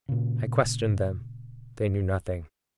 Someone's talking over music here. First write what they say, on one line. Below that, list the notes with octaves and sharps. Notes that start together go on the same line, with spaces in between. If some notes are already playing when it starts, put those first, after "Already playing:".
I questioned them. They knew nothing.
A#2 C#3